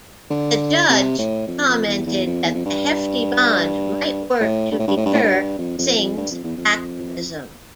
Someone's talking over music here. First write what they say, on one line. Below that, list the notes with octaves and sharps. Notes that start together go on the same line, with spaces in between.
The judge commented that the "hefty bond" might work to deter Singh's activism.
D3
C3
A2
F2
F2
E2
E2
F2
E2
F2
G2
A2
G2
A2
G2
A2
G2
A2
G2
F2
F2
F2
G2
F2
E2
F2